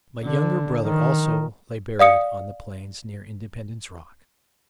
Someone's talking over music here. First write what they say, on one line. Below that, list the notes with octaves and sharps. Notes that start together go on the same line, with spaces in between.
My younger brother also lay buried on the Plains, near Independence Rock.
D3
D#3
D5 F5 D#6 C#7